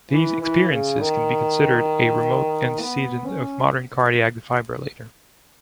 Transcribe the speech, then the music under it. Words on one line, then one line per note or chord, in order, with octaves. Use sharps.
These experiences can be considered a remote antecedent of modern cardiac defibrillator.
E3
E3
C#3
D#3
B3
C#4